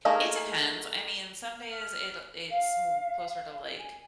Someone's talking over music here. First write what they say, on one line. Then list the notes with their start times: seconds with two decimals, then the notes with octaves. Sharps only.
It depends. I mean, some days, it'll it's mo closer to, like,
0.05 A3 A#3 D#4 G#4 A#4
1.70 F6
2.50 F5
3.78 G#5